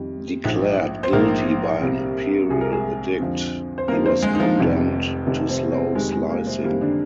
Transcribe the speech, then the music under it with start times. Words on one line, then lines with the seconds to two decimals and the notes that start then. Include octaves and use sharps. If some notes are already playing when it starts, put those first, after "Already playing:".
Declared guilty by an imperial edict, he was condemned to slow slicing.
Already playing: F2 D#3 G3
0.44 A#1 G#2 F3
1.03 C5
1.12 A#1 G#2 F3 A#3 A#4
1.81 C2 C3 G3
2.50 C2 C3 G3 G#4
2.61 A#4
2.72 G#3 G#4
3.20 F2 D3 F3
3.78 C5
3.88 F2 D3 F3 A#3 A#4
4.06 C4 C5
4.23 G#3 G#4
4.35 D#4
4.40 F3 F4
4.57 F1 F2 C3 D#3
5.27 F1 F2 C3 D#3
5.49 C3 C4
5.72 C3 C4
5.95 F2 D#3 G3 G#3
6.12 G#3
6.29 A#3
6.47 C3 C4
6.64 F2 D#3 G3 A#3
6.81 D3 D4